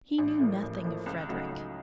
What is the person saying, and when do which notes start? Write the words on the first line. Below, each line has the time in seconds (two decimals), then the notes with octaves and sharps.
He knew nothing of Frederick.
0.18 A1
0.40 A2 F3 A#3
0.62 A1
0.85 A2 F3 A#3
1.06 C#2
1.28 C#3 F#3 A3 D#4
1.50 C#2